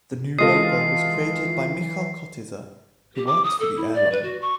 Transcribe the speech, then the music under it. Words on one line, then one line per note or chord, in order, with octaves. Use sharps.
The new logo was created by Michal Kotyza, who works for the airline.
E3 G#3 F4 A4 D#5 D#6 C7
G4
D6
D#6
A4
E4
D5
B4
F#4
C#6